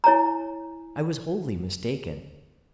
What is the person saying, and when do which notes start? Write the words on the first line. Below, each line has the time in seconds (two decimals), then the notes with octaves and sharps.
I was wholly mistaken.
0.04 E4 C#5 G#5 A#5